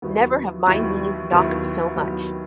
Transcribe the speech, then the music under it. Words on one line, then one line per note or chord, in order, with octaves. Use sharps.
Never have my knees knocked so much.
D#2 D#3 F#3 B3 E4
D#2 D#3 F#3 B3 E4
D#2 D#3 F#3 B3 E4
D#2 D#3 F#3 B3 E4